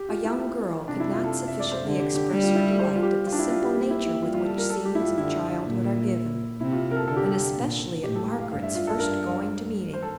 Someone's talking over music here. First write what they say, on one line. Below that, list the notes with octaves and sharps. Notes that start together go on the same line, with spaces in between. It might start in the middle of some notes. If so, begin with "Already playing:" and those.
A young girl could not sufficiently express her delight at the simple nature with which scenes of childhood are given, and especially at Margaret's first going to meeting.
Already playing: G4
F4
E4
C3 D4
E4
F4
A4
E5
D5
C5
D3
G4
G4
G3
F4
E4
C5
F4
G4
F4
D4
E4
F4
G4
A#3 G4
E4
E4
G3 F4
F4
A4
A#4
A4
G4
E4
F4
D3 E4
A#2
C3 E4
F4
A#4
A4
D3 A4
G4
A4
A#2
A2 G4
A4
F5
G2 F5
E5
F4
A4
G2 A#4
C5
A4